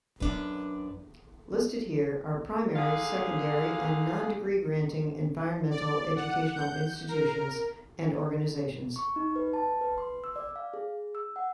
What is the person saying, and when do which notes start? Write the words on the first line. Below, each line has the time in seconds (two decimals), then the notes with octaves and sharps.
Listed here are primary, secondary, and non-degree granting environmental education institutions and organizations.
0.20 F#2 D4 B4
2.76 G#2 D3 G#4 F5
5.70 D5
6.16 F#5
6.56 G6
7.09 A#4
8.96 C#6
9.16 D#4
9.36 B4
9.53 A5
9.81 B4
9.98 C6
10.24 E6
10.36 D5
10.56 F5
10.74 G#4
11.15 E6
11.36 F#5